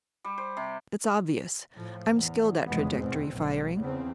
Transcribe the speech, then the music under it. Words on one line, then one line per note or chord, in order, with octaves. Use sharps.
It's obvious: I'm skilled at trajectory firing.
G3
C5
C3
A2 F3
E2
F1 E2 C#3 E3 G#3 B3
E2 G#2 B2 C4
B1 G#2
E2 C#3 C4